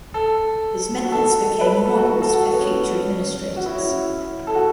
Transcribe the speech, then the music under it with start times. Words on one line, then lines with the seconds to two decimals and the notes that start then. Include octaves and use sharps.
His methods became models for future administrators.
0.14 A4
1.04 F#4
1.12 A4
1.61 B4
1.73 B4
1.86 A4
1.97 F#4
2.22 A4
2.34 F#4
2.46 F#4
2.53 B3
2.59 C#4
3.56 F#4
3.66 E4
3.75 C#4
3.85 E4
4.47 A4
4.55 F#4